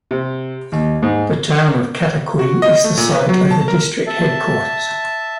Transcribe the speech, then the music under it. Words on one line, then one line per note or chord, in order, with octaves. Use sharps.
The town of Katakwi is the site of the district headquarters.
C3
D#2
G#2
F#4
D#5
A3
A#2
B4
F#3
A5
A#4
E5 A5